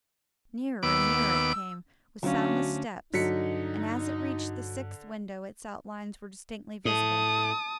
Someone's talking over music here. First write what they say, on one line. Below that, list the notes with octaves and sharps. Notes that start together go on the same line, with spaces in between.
Nearer and nearer it came, with soundless steps, and as it reached the sixth window its outlines were distinctly visible.
D#2 B3 D6 E6
D2 F#3 C#4 D4 F#4 F5
G2 D3 F#3 D#4 B6 C#7
A2 A5 D#6